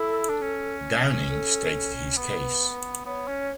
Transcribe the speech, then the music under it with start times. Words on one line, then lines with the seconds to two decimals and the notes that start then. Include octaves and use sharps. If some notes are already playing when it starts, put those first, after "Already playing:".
Downing stated his case.
Already playing: E4 A4
0.29 D4
0.42 C#4
1.30 A4
2.17 B3 B4
3.06 B3 C#5
3.28 C#4